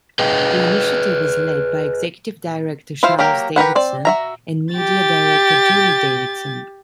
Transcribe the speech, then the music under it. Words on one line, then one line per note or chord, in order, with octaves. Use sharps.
The initiative is led by Executive Director Charles Davidson and Media Director Julie Davidson.
G#4 B4 D#5 G5
E4 F4 C5 F5
F#3 A#3 G4 A#4
G4 A#4 B4 F#5
C4 D5
F#4 E5 A#5
G4 A6